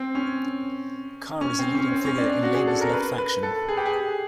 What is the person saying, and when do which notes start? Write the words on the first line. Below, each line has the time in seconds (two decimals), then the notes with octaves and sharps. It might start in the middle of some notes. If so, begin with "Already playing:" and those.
Carr is a leading figure in Labor's left faction.
Already playing: C4
0.15 C#4
1.41 C#4
1.59 C4
1.75 C#4
1.92 C4
2.05 C#4
2.18 D4
2.29 D4
2.43 F#4
2.55 G#4
2.67 A4
2.81 A#4
2.93 B4
3.18 B4
3.43 A4
3.68 G#4
3.77 G4
3.86 G#4